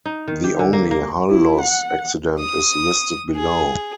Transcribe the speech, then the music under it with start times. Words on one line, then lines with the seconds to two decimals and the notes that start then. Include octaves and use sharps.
The only hull-loss accident is listed below.
0.06 D#4
0.28 D#3
0.44 G4
0.59 D3
0.73 A#3
0.91 A#3
1.30 E4
1.61 F#5
2.40 D#6
3.36 G#4